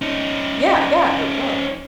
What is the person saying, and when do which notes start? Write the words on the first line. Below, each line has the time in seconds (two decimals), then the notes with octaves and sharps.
Yeah, yeah, it will.
0.02 C#4 D#4